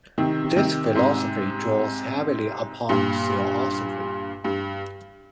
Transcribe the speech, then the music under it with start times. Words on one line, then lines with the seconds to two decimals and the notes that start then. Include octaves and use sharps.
This philosophy draws heavily upon Theosophy.
0.18 C3 D#3
0.56 C3 D#3
0.94 G#2 C3
2.89 G2 A#2
4.44 G2